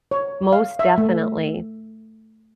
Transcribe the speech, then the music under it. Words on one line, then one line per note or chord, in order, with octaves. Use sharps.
Most definitely.
C#5
F5
E5
A3